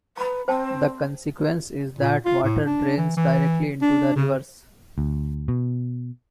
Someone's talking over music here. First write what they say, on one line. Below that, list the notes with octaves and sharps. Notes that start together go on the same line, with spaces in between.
The consequence is that water drains directly into the rivers.
B4 A#5 B5
C4 C5 G5 A5
A#2
F4
A2
D4
E3
E3
D4
C#3
D2
B2